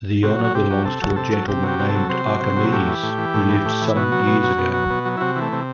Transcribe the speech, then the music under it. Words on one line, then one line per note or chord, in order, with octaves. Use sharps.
The honour belongs to a gentleman named Archimedes, who lived some years ago.
C3 F#4
F#3
F#4
C3 G4
F#3
C3 A4
F#3
C3 A4
F#3
C3 G4
F#3 G4
C3
A4
F#3
C3 C5
F#3
C3
F#3
A2 G4
E3
A2
E3
A2
E3
A2
E3
B2 F#4
F#3
B2
F#3
B2
F#3
B2
F#3
E4
C3 F#4
E3
A3
C3